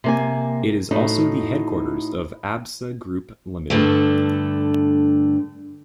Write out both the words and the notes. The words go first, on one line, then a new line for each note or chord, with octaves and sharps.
It is also the headquarters of Absa Group Limited.
C3 A#3 G#5
A2 D#4 F#4
G2 D3 A3